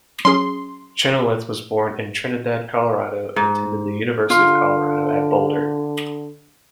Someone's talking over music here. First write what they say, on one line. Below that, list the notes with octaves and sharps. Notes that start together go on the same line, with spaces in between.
Chenoweth was born in Trinidad, Colorado, and attended the University of Colorado at Boulder.
F#3 C#4 G#4 C6
G#2
D3 F4